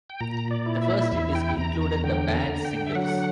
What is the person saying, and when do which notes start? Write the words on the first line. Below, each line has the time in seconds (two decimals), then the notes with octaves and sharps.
The first disc included the band' singles.
0.10 G5
0.21 A#2 A#5
0.51 D5
0.66 E4
0.82 E5
1.12 E2 E5
1.35 G5
1.58 E2 A#5
1.81 A#5
2.04 D3 G5
2.34 A#5
2.49 D3 A#5
2.65 G5
2.86 E5
2.95 F#3 F#5